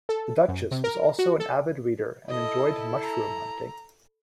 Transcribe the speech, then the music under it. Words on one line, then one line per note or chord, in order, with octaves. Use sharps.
The Duchess was also an avid reader and enjoyed mushroom hunting.
A4
F#2
C3
A#4
F#4
A4
E4 A4 D#5
A#5